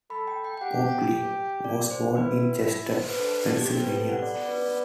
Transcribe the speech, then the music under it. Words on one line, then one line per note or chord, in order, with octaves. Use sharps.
Pompilli was born in Chester, Pennsylvania.
A4 B5
G5
G5
G5
G4 F#5
D5
C5
E4 B4
C5
B4
D4 A4
G4
C4 A4
B4
G4
A4
F#5
B3 D5
D5
B4
D5